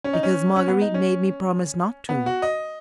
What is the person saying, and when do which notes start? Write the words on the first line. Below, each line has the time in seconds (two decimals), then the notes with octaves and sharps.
"Because Marguerite made me promise not to."
0.04 C#4
0.13 D#4
0.23 C#4
0.56 C#4
0.68 B3
0.81 D#4
0.94 C#4
2.09 B3
2.26 F#4
2.42 D#5